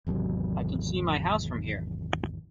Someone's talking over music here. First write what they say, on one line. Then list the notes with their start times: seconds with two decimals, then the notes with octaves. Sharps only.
I can see my house from here!
0.07 G#1 E2 C3 F#3